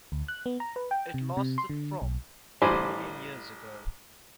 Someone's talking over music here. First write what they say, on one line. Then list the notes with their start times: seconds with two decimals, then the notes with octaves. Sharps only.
It lasted from to million years ago.
0.12 D2
0.28 F#6
0.46 B3
0.60 A#5
0.76 B4
0.91 G5
1.14 C3
1.37 C3
1.58 C6
1.70 D3
2.02 B1
2.62 A1 G3 C5 G#5 B5 D6